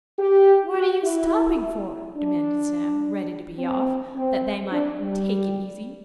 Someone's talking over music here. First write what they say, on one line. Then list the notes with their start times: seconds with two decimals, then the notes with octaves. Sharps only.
"What are you stopping for?" demanded Sam, ready to be off, that they might "take it easy."
0.19 G4
0.76 F#4
1.04 E4
2.17 D4
3.59 C4
4.16 C4
4.72 D4
5.01 G3